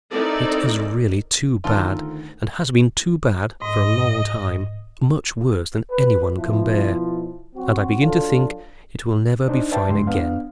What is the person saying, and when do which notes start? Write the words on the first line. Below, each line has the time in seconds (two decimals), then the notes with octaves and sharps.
It is really too bad, and has been too bad for a long time, much worse than any one can bear, and I begin to think it will never be fine again.
0.10 C4 D#4 E4 A4 A#4 D5
1.64 D2 D#3 F4 A4 A#4
3.62 G#2 D#5
5.91 B4
6.37 B2 F3 E4
7.56 F#3 C4 F#4
8.00 F#3 D4 F4 A4
9.48 D4 D#4 C5
9.71 B4 D5 E5 G5 A5
9.89 C#2 G#2 C6
10.07 B3 D4 F5